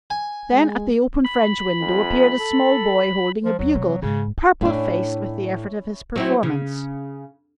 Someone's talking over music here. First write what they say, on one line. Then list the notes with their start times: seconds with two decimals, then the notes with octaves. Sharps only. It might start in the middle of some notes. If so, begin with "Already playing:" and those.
Then at the open French window appeared a small boy holding a bugle, purple-faced with the effort of his performance.
0.10 G#5
0.52 G#3
1.25 B5
1.80 F2
2.40 A4
3.45 F3
3.59 D#2 F#3
3.75 C3
4.02 G#2 C#3
4.61 A2 C#4 D4 E4
6.16 F#3 C4 E4
6.43 C#3